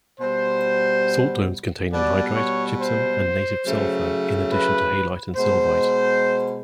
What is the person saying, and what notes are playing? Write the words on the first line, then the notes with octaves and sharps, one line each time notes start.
Salt domes contain anhydrite, gypsum, and native sulfur, in addition to halite and sylvite.
B2 G3 C5
B2 G3 D5
C#5
C5
C#3 F#3 A3
B4
B2 G#3 C5